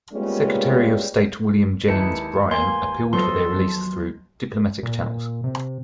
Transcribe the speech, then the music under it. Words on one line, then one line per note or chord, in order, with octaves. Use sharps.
Secretary of State William Jennings Bryan appealed for their release through diplomatic channels.
G3 G#3 A#3 B3 C#4 F4
D#2 G#3 D#4 E4 B4 A5 C#7
A#3 G#5 C6
F3 F#3 B3 A4 D#5 C6
A#2
C3